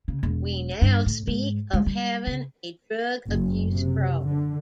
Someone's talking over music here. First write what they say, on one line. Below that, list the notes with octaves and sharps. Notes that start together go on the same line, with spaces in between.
We now speak of having a drug-abuse problem.
C#3
E1
G2
A2
G#2
G#3
G3
C#3
F#1
C3
D3